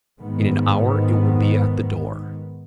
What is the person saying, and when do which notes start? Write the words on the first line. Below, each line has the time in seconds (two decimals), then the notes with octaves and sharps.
"In an hour it will be at the door."
0.20 G#2 D#3 B3